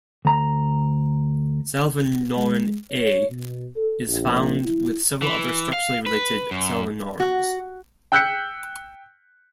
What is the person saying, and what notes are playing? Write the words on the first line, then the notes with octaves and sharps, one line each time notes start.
Salvinorin A is found with several other structurally related salvinorins.
D2 A#5
G#3
C#5
B2
A4
A#1
E4
E3
F5
B4
F#2
F#4
G5 E6 F#6 G6 B6 C#7